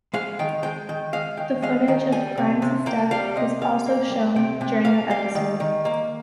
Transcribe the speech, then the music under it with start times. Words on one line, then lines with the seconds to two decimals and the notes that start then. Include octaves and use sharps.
The footage of Grimes' death is also shown during that episode.
0.14 G#3 F5
0.39 D#3 G5
0.63 G#3 G5
0.89 D#3 G5
1.13 G#3 F5
1.37 D#3 G5
1.62 G#3 F5
1.88 D#3 G5
2.12 G3 G#5
2.38 C3
2.62 C3
2.86 A#3 G5
3.11 G3 F5
3.36 C3 D#5
3.61 C3 F5
3.86 A#3
4.10 G3
4.36 C3 G5
4.61 C3 G5
4.85 A#3 F5
5.10 G3 F5
5.35 D#3
5.60 D#3
5.85 A#3